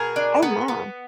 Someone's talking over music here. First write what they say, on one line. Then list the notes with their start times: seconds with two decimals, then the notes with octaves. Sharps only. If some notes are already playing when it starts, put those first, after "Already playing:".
Oh, my.
Already playing: B2 G#4 A#4
0.16 D4
0.42 B3
0.68 B3